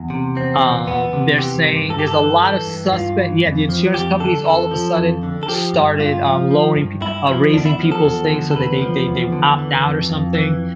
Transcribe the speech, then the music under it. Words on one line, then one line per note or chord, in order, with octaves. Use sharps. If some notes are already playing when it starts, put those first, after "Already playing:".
um, they're saying there's a lot of suspect Yeah, the insurance companies all of a sudden started, uh, lowering pe uh, raising people's things so that they they they opt out or something,
Already playing: E2
C3
E2 C4
E3
E2 B3
C3
E3 G4
G2
G2 A4
G4
A4
E3
E3
G2
G2 F4
E3
F2
F3
F2 G4
D3 A4
F2 A4
F3
F2
D3
A4
F3 G4
G2
G2 F4
F3
F3
G2
G2 E4
F3
E2 D4
E4
F3
A4
E2
D3
A4
E2 B4
F3
E2
D3
E3
F2
F2
E3